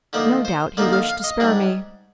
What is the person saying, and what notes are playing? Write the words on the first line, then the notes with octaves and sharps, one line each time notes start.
"No doubt he wished to spare me."
D3 F3 A#3 D#4 D5
C5
D3 F3 A#3 D#4 D5
F5
F5
D#5
G#2 G3 D4